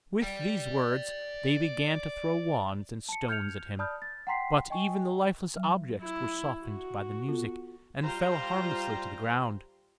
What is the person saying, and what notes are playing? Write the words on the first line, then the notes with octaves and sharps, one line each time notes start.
With these words they began to throw wands and stones at him, but even the lifeless objects were softened by the music, and fell harmlessly to the ground.
D5 G5
A5 C#7
F6 G6 G#6 C#7 F7
D5 A5 B5 D#6 F6 G6
A6
F#5 G5 A#5 C6 B6 C7
D#5 G5 G#5 C#6
F#3
E4
F#4
B3 F4 A4
G3 F4 C5 G5 A#5